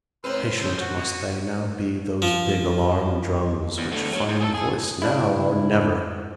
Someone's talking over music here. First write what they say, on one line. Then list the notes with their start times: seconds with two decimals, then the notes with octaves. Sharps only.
Impatient must they now be, those big alarm-drums, which find a voice now or never!
0.24 G#2 C4 B4 C6 E6 F6
0.57 F2 A3 C5 G6
0.80 F#4
0.95 B2
2.22 F3
3.78 E2
3.92 D2 A3
4.13 F#3
4.29 A2
4.41 G#4 A4
4.54 G#4
5.02 C#3 D4 E4